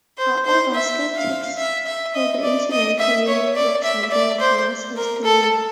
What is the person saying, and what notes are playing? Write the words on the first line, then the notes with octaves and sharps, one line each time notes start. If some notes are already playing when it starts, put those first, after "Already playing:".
However, skeptics hold the incident to be an example of mass hysteria.
C5
C5
E5
F5
E5
E5
D#5
D5
D#5
E5
C#5
D5
E5
D5
C5
A#4
A4